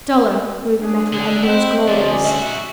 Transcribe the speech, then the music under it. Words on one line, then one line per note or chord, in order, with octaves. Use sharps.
Duller grew the Metal Emperor's glories.
D4 G#4
D3
C4 E4 C5 D#5 F#5 G5
D2 C3 F3 C#4 G#4 D5
B1 F#4 E5